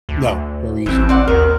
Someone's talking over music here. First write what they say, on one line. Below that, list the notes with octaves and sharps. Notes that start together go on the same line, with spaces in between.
No, very easy,
D2
A1 E3 C4
C4 D5 F#5
D#2 A#4